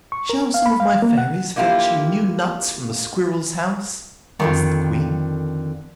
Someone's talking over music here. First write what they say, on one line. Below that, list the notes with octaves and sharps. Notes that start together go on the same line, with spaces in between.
"Shall some of my fairies fetch you new nuts from the squirrel's house?" asked the Queen.
C#6
A#4
F5
B5
F5
A#3
F#5
D3 A#3 E4 F4 G4
F2 D3 D#3